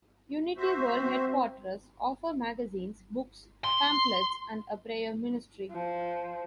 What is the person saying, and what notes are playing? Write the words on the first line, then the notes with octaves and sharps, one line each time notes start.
Unity World Headquarters offer magazines, books, pamphlets and a prayer ministry.
F#4 C5 E5
C4
C6
F3